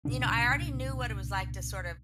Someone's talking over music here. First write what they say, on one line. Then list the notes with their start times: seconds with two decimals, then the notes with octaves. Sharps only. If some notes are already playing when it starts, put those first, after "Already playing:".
You know, I already knew what it was like to, sort of
0.05 C2 A#2 C#3 D4